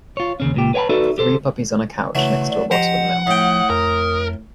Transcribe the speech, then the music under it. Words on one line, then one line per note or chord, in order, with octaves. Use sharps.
Three puppies on a couch next to a bottle of milk.
F4 C#5
D#2 C#3 C#4
C#2 A#2 G4
B4 C#5 E5 G5 A5 B5
D#4 F#4 A4 B4 D5 E5
G4 A4 C5
C#3 E3 F#3 A3
D5
F3 G4 C5 D#5 F#5 A#5
A2 G5 D#6
F2 A#4